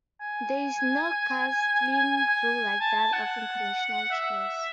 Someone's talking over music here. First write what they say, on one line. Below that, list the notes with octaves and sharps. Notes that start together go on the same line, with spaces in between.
There is no castling rule like that of international chess.
G#5
G#5
A5
F#5
E5